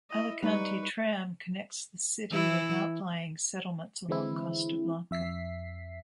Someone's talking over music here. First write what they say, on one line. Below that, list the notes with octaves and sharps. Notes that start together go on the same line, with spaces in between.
Alicante Tram connects the city with outlying settlements along Costa Blanca.
E4 D#5
G3 D#4 B4 C#6
E3 E4
D3 E3 G#3 C4 E4
F2 E5 B6 C7